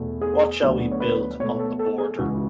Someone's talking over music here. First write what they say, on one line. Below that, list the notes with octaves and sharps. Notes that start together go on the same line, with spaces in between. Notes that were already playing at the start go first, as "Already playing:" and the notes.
What shall we build on the border?
Already playing: E2 B2 A3
G#4
D2 D3 F#3 B3
C#5
B4
B2 A3 C#5
A4
A4
G#4
C#2 C#3 E3 F#4